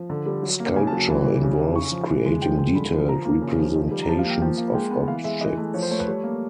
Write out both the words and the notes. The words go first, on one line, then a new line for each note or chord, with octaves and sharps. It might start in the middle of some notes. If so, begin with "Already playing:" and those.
Sculpture involves creating detailed representations of objects.
Already playing: F3
D3
G3
F#3
A#3
C#3 G#5
A5
F#3
E3
G3
C#3
E3
C#3 C#6
F3
E3
G#3
F3 G5
G#3
D3 B5
F3
F3 A#5
A#3
C#3
F3
D#3
G3
A#5
F3 A5
F5
A#3
G5
F3 G5
A#3
G#3 G5
B3
E3 F5
G#3 E5
E3 D#5
A3
F3 C#5
C5
A3 C#5
B4
G3 C#5
A#3